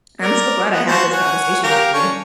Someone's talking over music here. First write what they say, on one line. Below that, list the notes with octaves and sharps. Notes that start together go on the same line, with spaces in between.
I'm so glad I had this conversation with you.
A#4 D5
B3
F#4 C5 A5
C#5 F#5 G#5
G4 A#4 F5
C#4 D4 C#6